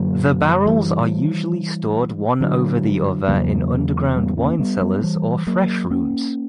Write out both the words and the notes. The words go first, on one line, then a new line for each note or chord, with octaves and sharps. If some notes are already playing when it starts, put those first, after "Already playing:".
The barrels are usually stored one over the other in underground wine cellars or fresh rooms.
Already playing: F#2 D3 F#3 A#3
E3 G3
D3 F#3
E2 C#3 F#3 A#3
G3 B3
A#3 C#4
G3 B3
G3 B3
E3 G3
F#3 A#3
A#3 C#4